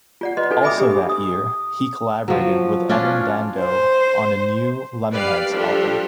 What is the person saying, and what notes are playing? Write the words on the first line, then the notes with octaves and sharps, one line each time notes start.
Also that year, he collaborated with Evan Dando on a new Lemonheads album.
F4 D5 F#5
B4 D#5 C6
D4 F4 F#4 A4 B4
E5 G5 G#5 B5 D6 D#6
D4 G4
D#6
F3 F#3
C#4 D4 F4
C5
G4 B4 D5 F5
F3 G3 D4 G4 A4